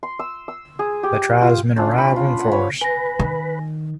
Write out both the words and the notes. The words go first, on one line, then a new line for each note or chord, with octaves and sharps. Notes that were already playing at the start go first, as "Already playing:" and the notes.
The tribesmen arrive in force.
C6
E6
E6
G#4
G4
F4
C#4 D4 F4
B5
F4
F#5
C5 C#5 F5 B5
B4 G#5 A#6
D#3